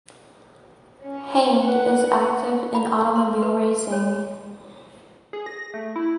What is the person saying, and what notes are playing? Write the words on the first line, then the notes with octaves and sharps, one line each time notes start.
Hane is active in automobile racing.
C#4
B4 F#5
B5
C6
B4
C#5
G#4
A#6
A3
E4